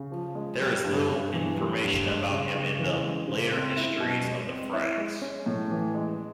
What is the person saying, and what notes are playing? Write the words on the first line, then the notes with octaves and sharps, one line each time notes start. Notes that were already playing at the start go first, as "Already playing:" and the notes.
There is little information about him in the later histories of the Franks.
Already playing: C#3
F3
G#3
G3
G2
G2
E3
G3
G2
G#3
C#3
C#3
E3
G#3
C#3
C4
E4
B2
G#3
C4
E4
G#3
C#4
A2
E3
G#3